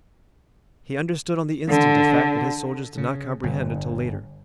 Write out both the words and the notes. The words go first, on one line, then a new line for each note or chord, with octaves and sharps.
He understood on the instant a fact that his soldiers did not comprehend until later.
D3
C#3
G1